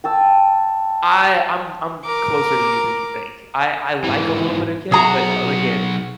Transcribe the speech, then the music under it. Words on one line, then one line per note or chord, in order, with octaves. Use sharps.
I I'm I'm closer to you than you think, I I like a little bit of kick, but a again,
G5 A5 E6
A#4 D6
G#2 E3
B1 F#4 G#4 A#5